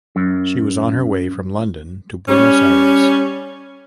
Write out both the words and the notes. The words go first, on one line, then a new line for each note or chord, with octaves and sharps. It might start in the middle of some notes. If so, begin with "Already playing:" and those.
She was on her way from London to Buenos Aires.
F#2
G3 C#4